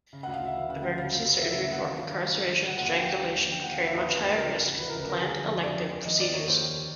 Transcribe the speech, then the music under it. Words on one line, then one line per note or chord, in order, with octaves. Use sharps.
Emergency surgery for incarceration and strangulation carry much higher risk than planned, "elective" procedures.
C#3
D2 F#5
F5
D2 E5
E3
C#3 F#5
D2 F#5
C#3 F5
F#2
F#2
E3 E5
E5
C#3
E5
F#2 F#5
D#3 F5
G2
D#3
G2
D#3
G2
D3 F#5
D#2 F#5
F5
D3 G5
D#2
D3
D#2
D3 G5
D#2 F#5
F5
D3 E5
D#2 B4
D3
D#2
C#3 A#4
D2
D2
E3 B4
C#3 A#4
B4
D2 A#4
D3 G#4
F2
D3
F2 D5
D3
F2
D#3 D#5
D#2 D5
D#3 C#5
D#2 C5
D#3